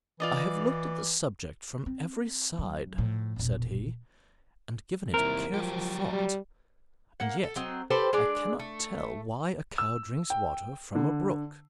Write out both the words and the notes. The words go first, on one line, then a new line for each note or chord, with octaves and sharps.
"I have looked at the subject from every side," said he, "and given it careful thought, and yet I cannot tell why a cow drinks water from a brook."
E3 F4 D5 D#5
C4
F#2 F#3
A2 F3
E1 A#1
D#2 C4 E4 A#4
F3 F#3 G4
G3
A#3 F#5
A4
F#3 C4 D#5
G4 A4 B4 C5
G#3 D4 D5
A3
E6
G5
D3